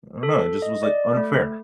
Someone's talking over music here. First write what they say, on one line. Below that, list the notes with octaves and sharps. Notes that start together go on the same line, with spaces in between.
I don't know, it just was, like, unfair.
A4
D#5
D5
A3